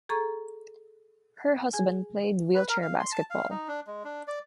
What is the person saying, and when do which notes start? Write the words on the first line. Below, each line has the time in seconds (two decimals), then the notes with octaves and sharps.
Her husband played wheelchair basketball.
0.09 G#4 A4 A#5 C#6
1.73 G#4 G#5
2.54 B4
2.69 A#4
2.82 F5
2.99 C6
3.12 A5
3.30 F5
3.50 D#4
3.68 D4
3.87 G#3
4.04 D4
4.27 D5